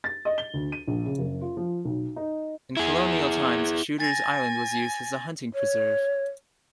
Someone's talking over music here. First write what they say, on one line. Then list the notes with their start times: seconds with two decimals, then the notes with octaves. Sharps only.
In colonial times Shooters Island was used as a hunting preserve.
0.04 A6
0.25 D#5
0.38 G7
0.54 D2
0.72 D#7
0.87 A#1
1.05 C#3
1.19 F#1
1.41 F4
1.57 F3
1.85 B1
2.16 D#4
2.77 E4 G#4
4.00 G#5 A6 A#6
5.55 C#5